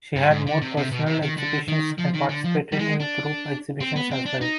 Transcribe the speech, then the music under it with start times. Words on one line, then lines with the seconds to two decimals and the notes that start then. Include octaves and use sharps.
She had made personal exhibitions and participated in group exhibitions as well.
0.16 G2
0.31 G#2
0.47 D3
0.62 C3
0.77 C3
0.91 B2
1.07 C3
1.23 D#3
1.37 D3
1.68 D#3
1.98 F3
2.14 D#3
2.29 D3
2.44 F3
2.72 G3
2.79 G#3
3.00 D4
3.80 C4
3.95 B3
4.11 C4
4.25 D4
4.41 D#4